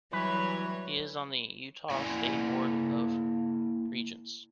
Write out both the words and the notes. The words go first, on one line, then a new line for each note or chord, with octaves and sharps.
He is on the Utah State Board of Regents.
E3 F#3 G3 B4 C#5
A#3 E4 D5 G5 G#5